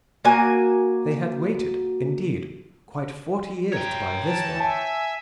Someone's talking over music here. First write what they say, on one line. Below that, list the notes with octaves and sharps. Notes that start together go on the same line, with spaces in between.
They had waited, indeed, quite forty years to buy this one.
A#3 F#4 G#5
C#5 G5 A#5
E3 A5
E5 G#5 A5